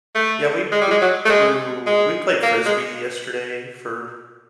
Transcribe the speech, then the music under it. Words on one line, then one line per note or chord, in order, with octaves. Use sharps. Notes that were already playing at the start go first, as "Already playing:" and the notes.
Yeah, we we p threw we played Frisbee yesterday for,
A3
G#3
G3
G#3
F#3
A3
G#3
G#3
A#3
G#3